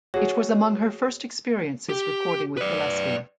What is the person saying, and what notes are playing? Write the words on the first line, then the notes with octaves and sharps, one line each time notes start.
It was among her first experiences recording with Gillespie.
F#4 G#4 C#5
G4
B4 D5